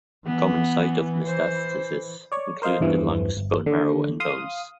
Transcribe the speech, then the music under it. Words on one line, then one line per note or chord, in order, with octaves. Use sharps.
Common site of metastasis include the lungs, bone marrow, and bones.
E3 B3
C5
C#5 D5
A#4 C5 D#5 F5
E2 G2 E3 F3
G1
D3
F5 C6 D#6